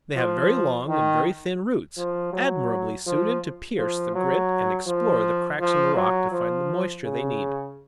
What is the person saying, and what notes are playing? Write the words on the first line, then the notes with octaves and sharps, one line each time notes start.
They have very long and very thin roots, admirably suited to pierce the grit, and explore the cracks in the rock, to find the moisture they need.
F3
D#3
F3
F#3
F3
F3
F#3
F3
F3
F#3
F3
C#3